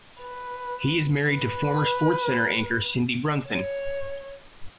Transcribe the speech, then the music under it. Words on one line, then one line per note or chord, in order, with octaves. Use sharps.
He is married to former SportsCenter anchor Cindy Brunson.
B4
B4
C#5